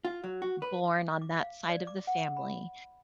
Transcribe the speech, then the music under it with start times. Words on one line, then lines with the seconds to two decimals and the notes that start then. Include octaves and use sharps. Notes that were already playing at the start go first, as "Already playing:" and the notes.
born on that side of the family,
0.05 F4
0.24 F#3
0.42 F#4
0.62 B4
1.22 D6
1.41 F5
1.69 D5
1.87 D6
2.07 F#5
2.37 B5